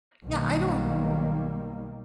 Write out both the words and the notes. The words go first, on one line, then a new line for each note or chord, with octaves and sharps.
Yeah. I don't
B1 D#3 G3 A#3